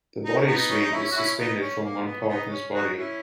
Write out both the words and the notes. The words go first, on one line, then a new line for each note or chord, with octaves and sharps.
The body swing is suspended from one partner's body.
D#4
C#4
B3 D#4
C#4
D#4
C#4 E4
F#4
C#4 E4
B3 D#4
C#4
A#3
B3
C#4
B3 D#4
C#4
D#4 F#4
C#4 E4